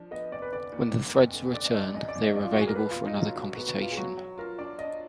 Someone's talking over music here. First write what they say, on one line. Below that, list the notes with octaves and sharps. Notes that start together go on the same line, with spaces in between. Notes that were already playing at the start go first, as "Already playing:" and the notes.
When the threads are returned, they are available for another computation.
Already playing: F3 D4
B3 D#5
F1 D5
B4
D3 D5
D#2
D#2
F1
D3
D3 D5
D#5
F#2
D5
F#2 D#5
D5
G#1
D#5
F#2 D5
F4
F#4
F#2 G#4
A#4
B3 B4
B2 F4
D#4
F#3 F4
B1 F#4
B3 F#4
F#4
B2 F4
G#4
F#3 F#4
F#3
F4 A#4
D4 D5
D4 D#5